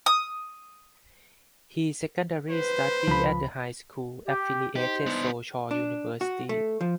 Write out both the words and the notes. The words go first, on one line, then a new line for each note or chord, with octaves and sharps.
He secondary studied at the High School Affiliated Soochow University.
D#6
B4 C5
C#2 F3 B5
G4
D#4 G4 C5
B3 D4
D4
F#4
A3
F3